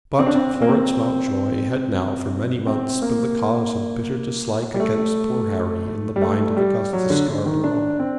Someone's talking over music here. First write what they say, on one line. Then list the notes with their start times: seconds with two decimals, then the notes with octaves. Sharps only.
But Florence Mountjoy had now for many months been the cause of bitter dislike against poor Harry in the mind of Augustus Scarborough.
0.19 C4
0.26 D4
0.35 C4
0.54 C4
0.62 A#3
0.69 C4
2.67 C4
3.02 A#3
4.74 G3
4.80 A3
6.16 G3
6.22 A3
6.57 G3
6.93 F#3
7.10 D3
7.28 D3
7.46 D#3
7.64 D4
7.99 C4